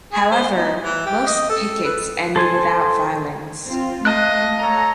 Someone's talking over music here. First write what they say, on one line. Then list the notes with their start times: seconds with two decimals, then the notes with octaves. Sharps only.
However, most pickets end without violence.
0.13 G#4
0.31 C5
0.56 D#4
0.83 E3
1.06 G4
1.27 D#5
1.49 A4
1.85 B4
2.36 A4 C5 G#5
3.67 C4 F4
4.05 A3 D#5 F5 A5 F#6
4.60 A4 C#5 A#5